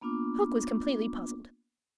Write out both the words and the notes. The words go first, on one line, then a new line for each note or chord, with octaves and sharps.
Hook was completely puzzled.
A#3 B3 D4 F4 D6